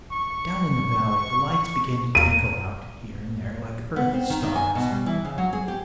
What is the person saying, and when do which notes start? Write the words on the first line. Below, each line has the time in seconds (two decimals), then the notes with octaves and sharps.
Down in the valley the lights began to twinkle out here and there like earth-stars.
0.12 C#6
2.15 A#4 D#7
3.96 B3
4.14 C4
4.30 D#3
4.43 D#3
4.56 G#5
4.75 B2
4.91 G3
5.06 E3
5.25 C#3
5.38 F#3
5.53 G#4
5.68 G4